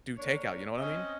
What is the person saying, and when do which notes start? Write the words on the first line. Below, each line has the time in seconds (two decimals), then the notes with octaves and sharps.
do takeout, you know what I mean.
0.17 A#3 D4 C#5
0.77 C4 C#4 D#5